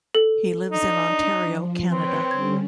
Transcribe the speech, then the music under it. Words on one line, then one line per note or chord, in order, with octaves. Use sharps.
He lives in Ontario, Canada.
A4
D4 D#4
F3
C4 B4 C#5 G5
D3 G3 C#4 G#6